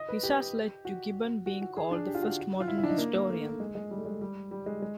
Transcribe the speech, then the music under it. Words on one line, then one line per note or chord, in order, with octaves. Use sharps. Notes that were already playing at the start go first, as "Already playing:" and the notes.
This has led to Gibbon being called the first "modern historian".
Already playing: D#5
B4
G4
F#4
F#4
F#4
G#4
D4
G4
F4
F#4
F4
E4
E4
D4
D#4
A#3
A#3
A3
G#3
G#3
G3
A3
G#3
G3
G3
G#3
G#3